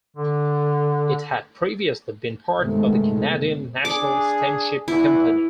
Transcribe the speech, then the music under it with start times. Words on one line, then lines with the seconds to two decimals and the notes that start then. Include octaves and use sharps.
It had previously been part of the Canadian National Steamship Company.
0.17 D3
2.58 G2 C3 D#3 G#3 A3 B3
3.85 D4 G#4 D6
4.88 E2 G2 E3 E4